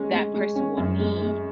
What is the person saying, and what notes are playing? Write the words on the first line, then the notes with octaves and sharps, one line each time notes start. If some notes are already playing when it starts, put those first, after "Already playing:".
that person will need,
Already playing: G#3 C#4
G#3
G#3
C#4
F#2
G#3
G#3